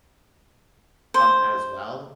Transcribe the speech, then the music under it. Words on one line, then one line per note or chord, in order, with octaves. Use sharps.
um, as well.
C5